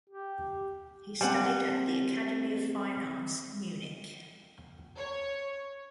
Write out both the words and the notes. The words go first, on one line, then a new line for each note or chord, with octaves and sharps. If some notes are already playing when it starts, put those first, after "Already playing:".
He studied at the Academy of Fine Arts, Munich.
G4
G3 C4 C5 F#5 G#5
C#5